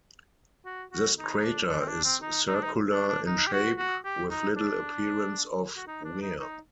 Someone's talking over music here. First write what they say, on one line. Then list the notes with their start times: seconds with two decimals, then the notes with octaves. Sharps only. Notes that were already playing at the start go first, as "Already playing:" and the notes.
This crater is circular in shape, with little appearance of wear.
0.65 F#4
0.92 F#4
1.18 D#4
1.38 D#4
1.44 D4
1.70 D4
1.81 C4
1.88 D4
2.04 C4
2.22 D#4
2.48 D#4
2.55 D4
2.63 D#4
2.91 D4
3.08 D4
3.27 D#4
3.47 G4
3.53 F#4
3.78 F#4
4.05 G4
4.31 D#4
4.56 D4
5.77 F#4
5.87 D#4
6.04 D4
6.21 D#4
6.39 D#4